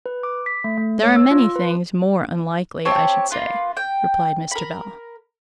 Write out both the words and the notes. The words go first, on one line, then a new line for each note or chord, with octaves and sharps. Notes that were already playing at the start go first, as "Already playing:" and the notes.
'There are many things more unlikely, I should say,' replied Mr. Bell.
B4
D6
B6
A3
A3
C#5
E6
F4
B4
C4 G4 C#5 A5
A#3 F4 B4
G5
A#4 B5